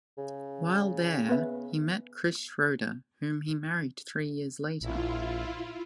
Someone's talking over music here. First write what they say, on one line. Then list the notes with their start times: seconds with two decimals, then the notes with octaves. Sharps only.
While there, he met Chris Schroeder, whom he married three years later.
0.18 C#3
1.29 B3 B4 E5
4.81 A#1 E4 F4